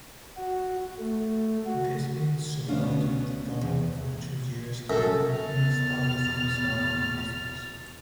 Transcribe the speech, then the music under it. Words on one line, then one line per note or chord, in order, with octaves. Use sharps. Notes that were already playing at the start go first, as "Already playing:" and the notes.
Desvignes supported Thonet for two years and helped him establish himself in business.
F#4
A3
F#4
D2 A3 B3 C#4 D4 F5
E2
F#2 A4
E2 B2 F6 A6